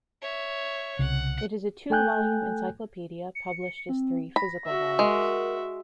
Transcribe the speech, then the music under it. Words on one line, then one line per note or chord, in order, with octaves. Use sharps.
It is a "two-volume" encyclopedia published as three "physical" volumes.
C#5 E5
C2 C#3 F#5
A3 A4 G5 G#5 F#6 G6
C#7
C4
B5 A#6
F#4 E5
G#3 A#4